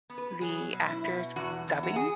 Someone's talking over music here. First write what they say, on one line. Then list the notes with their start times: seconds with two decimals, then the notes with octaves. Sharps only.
the actors dubbing,
0.10 B3
0.18 B4
0.41 F#3 G#4
0.73 B2
0.89 E4
1.04 B2
1.36 E2 F#4
1.68 E2
1.83 F#4
1.96 G#4